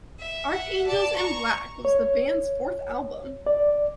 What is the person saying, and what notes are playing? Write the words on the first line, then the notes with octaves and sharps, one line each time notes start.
"Archangels in Black" was the band's fourth album.
E5
E5 F#5
D5 A5
A#5 C#6
C#5
D5